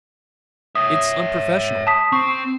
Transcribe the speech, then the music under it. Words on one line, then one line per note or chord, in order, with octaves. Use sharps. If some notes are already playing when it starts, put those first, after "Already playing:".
"It's unprofessional."
C#5 E5 D#6
A5 D#6 B6
C4 C#6